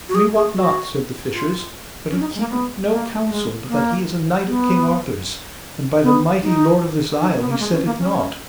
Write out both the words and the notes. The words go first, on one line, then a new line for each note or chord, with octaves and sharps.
We wot not, said the fishers, but he keepeth it no counsel but that he is a knight of King Arthur's, and by the mighty lord of this isle he setteth nought.
F#4
G#4
G#4
F#4
F4
C#4
D#4
G#3
A#3
B3
A#3
G#3
A#3
B3
B3
D#4
D#4
C#4
B3
A#3
G#3
C#4
A#3
C#4